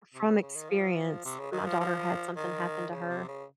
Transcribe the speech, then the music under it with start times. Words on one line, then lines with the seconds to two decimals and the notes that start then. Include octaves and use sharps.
from experience. My daughter had something happen to her
0.14 C3
0.28 C#3
0.42 C#3
0.55 D#3
0.70 F3
1.25 C3
1.39 C#3
1.52 D#3
1.66 F3
1.80 F3
2.36 D#3
2.91 C#3
3.10 C3
3.28 C#3